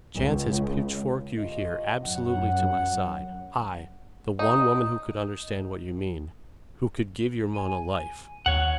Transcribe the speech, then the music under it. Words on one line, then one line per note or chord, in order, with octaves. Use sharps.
Chance has pitchforked you here, absolutely to my side, I, the one woman who could understand what you mean, who could give your Mona life.
C#2
C2 F4 D#5
F#2 F#5
D#4
G#5 D#7
D#2 C#5 F#5